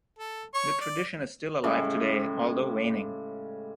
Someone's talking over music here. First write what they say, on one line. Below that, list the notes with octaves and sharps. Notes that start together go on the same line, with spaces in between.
The tradition is still alive today, although waning.
A4
C#5 C#6
D5
A2 C#3 G3 G#3